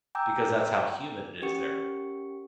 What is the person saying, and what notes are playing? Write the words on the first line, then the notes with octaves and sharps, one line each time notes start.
because that's how humid it is there.
G5 G#5 A#5 D6 E6 G6
C#4 G4 A#4 F#5 C#6 C#7